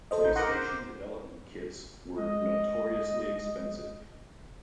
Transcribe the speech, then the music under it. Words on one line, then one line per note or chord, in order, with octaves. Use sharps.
PlayStation development kits were notoriously expensive.
A4 C5 D#5
A1 A2 D#4 G6
D#4 A#4 D#5 F#5 C6 D6
C5
G#3 D#5